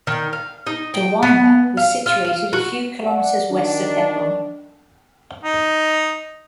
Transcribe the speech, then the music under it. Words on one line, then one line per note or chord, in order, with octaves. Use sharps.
Dawayima was situated a few kilometres west of Hebron.
D#3
F5
D#4
G5
B3
F5
F4
F5
F#4
D5 F#5
D#3 D4
D#4